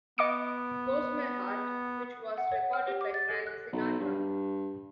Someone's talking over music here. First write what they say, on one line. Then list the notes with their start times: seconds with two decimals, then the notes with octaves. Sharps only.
Goes My Heart, which was recorded by Frank Sinatra.
0.18 B3 D#5 D6 C#7
2.38 F#5
2.52 C#5
2.73 F6
2.88 G4
3.01 D6
3.14 A6
3.30 A4
3.47 F#6
3.73 B1
4.00 G2